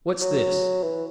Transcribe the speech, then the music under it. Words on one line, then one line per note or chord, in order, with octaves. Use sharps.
"What's this?"
F#3
E3